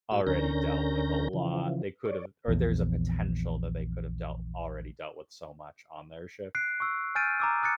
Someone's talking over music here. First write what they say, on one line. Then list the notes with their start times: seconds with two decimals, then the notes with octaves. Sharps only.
already dealt with a lot. They could’ve or there's a potential that they could've dealt already dealt with so much on their shift.
0.11 A2 F#4 E6
0.27 D2 D3 C#4 A#4 G6 A#6
1.33 C#3 E3 F3
2.05 C#5 D5
2.48 A#1 E2
6.55 F#6 C7 D7
6.80 C#6 E6
7.15 G#5 F6 G6 A6 D7 D#7
7.40 A#5 D6 E6
7.63 D#6 F#6 A6 C#7